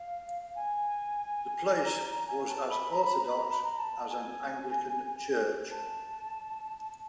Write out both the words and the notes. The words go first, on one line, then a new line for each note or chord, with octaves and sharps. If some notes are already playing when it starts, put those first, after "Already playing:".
The place was as orthodox as an Anglican church.
Already playing: F5
G#5
A#5
A#5
G#5
A5
B5
A#5
B5
A#5
B5
A#5
B5
A#5
A5
G#5
A5